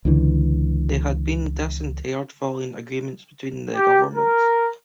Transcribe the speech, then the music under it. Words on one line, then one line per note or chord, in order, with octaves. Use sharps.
They had been dis-interred following agreement between the governments.
C#2 D3 E3
G4
A#4